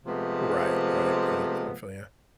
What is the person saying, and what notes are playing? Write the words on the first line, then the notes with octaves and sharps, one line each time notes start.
Right, right, right, I feel ya.
C3 F3 G#3 A3 B3